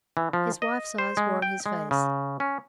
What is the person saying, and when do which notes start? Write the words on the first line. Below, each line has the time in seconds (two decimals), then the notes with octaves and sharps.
His wife's eyes were on his face.
0.17 E3
0.33 F3
0.62 D#5
0.98 C5
1.17 G#3
1.42 G5
1.66 G#3
1.91 C#3
2.40 C#4